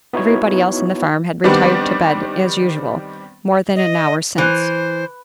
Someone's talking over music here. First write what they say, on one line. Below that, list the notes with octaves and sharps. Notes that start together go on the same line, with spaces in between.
Everybody else in the farm had retired to bed, as usual, more than an hour since.
B3 D#4 E4 F#4 C#5
D#3 G3 B3 C4 D4
D#5
E3 C5